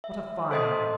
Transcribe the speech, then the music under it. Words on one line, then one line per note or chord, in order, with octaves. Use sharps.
What a fine eye!
E5
A4 C5 D#5 C6 D#6